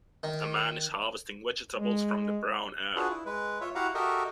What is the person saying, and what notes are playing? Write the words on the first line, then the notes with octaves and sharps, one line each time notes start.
A man is harvesting vegetables from the brown earth.
D#3
G#3
D4 F4 F#4 G#4 B4
E4
G#3 B4
F4 C#5 E5
E4 F#4 G4 F5 F#5 A#5
F#4 G4 A4 A#4 D#5 E5